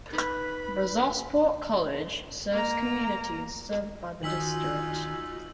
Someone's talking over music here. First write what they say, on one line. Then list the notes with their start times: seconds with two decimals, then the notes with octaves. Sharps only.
Brazosport College serves communities served by the district.
0.13 D#4 B4 B5
2.52 A#3 A#5
4.23 D#3 D#4 F4 F#4 G#5 E6 B6 F#7